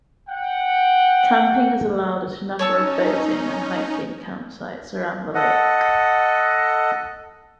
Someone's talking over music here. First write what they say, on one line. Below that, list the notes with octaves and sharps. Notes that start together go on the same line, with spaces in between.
Camping is allowed at a number of boat-in and hike-in campsites around the lake.
F#5 G5
C#4 D#4 C#5 A5 E6
A4 D#5 F#5